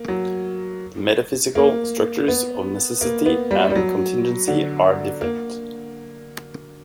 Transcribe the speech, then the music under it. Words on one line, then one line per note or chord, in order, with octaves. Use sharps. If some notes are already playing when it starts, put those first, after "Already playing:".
The metaphysical structures of necessity and contingency are different.
Already playing: A#3
F#3
A#3
B3
A#3
B3
G3
G3
F#3
D3
A#3